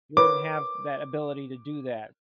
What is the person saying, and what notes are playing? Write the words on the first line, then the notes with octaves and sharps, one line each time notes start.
You wouldn't have that ability to do that.
A#4 B4 C#5 D6